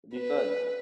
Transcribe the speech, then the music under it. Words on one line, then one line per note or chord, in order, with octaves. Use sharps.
Be fun.
B4